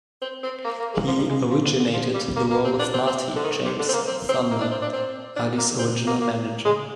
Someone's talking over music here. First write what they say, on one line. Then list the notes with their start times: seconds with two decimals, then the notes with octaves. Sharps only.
He originated the role of Marty, James "Thunder" Early's original manager.
0.22 C4
0.43 C4
0.64 A#3
0.79 A#3
0.93 G#3
1.07 F3
1.18 G3
1.29 G#3
1.50 F3
1.64 D3
1.79 D3
1.93 F3
2.14 G3
2.36 A#3
2.50 A#3
2.64 C4
2.79 D4
2.93 C4
3.07 C4
3.36 D3
3.44 D#3
3.50 D3
3.64 C3
3.79 D3
3.89 C4
3.93 A#3
4.07 C4
4.29 C4
4.51 A#3
4.61 D4
4.71 C4
4.82 D4
4.93 C4
5.36 D4
5.58 A#3
5.79 C4
6.07 A#3
6.22 A#3
6.65 G#3